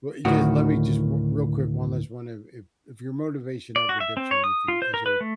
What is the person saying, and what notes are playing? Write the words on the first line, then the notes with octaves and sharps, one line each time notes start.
Well, e just let me just r real quick, one last one if if if your motivation ever dips or anything, is there
D2 A2 D#3 F#4
D5
F#4
E5
C4
C#5
D#6
F4
C5
A#4
B4
A3